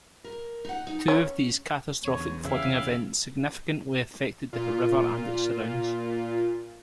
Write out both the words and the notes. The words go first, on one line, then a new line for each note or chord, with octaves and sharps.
Two of these catastrophic flooding events significantly affected the river and its surrounds.
A#4
D#4 F#5
D#4
C#4 C#5
E2 D3 C#5
C#3 E4 G4 E5 F5
A#2 F4